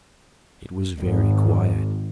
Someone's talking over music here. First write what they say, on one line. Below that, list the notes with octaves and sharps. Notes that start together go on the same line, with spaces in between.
It was very quiet.
G#1